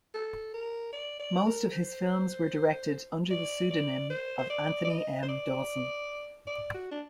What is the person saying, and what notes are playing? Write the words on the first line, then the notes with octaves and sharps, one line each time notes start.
Most of his films were directed under the pseudonym of Anthony M. Dawson.
A4
A#4
D5
D5
A#4
C5
D5
D5
C5
C5
D5
D5
D#5
C5
D5
D5
F#4
D4